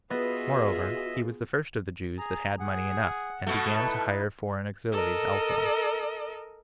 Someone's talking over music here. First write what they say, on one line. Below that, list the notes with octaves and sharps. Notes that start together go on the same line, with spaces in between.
Moreover, he was the first of the Jews that had money enough, and began to hire foreign auxiliaries also.
B3 F4 F#4 G#4 B4 D#5 E5 A6
G#4 A#5
G#4 F#5
B2 A3 F#4
D#4 E4 B4
A4 A#4 D#5